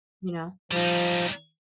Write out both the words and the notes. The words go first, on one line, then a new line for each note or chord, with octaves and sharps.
you know?
F3 G3 D#4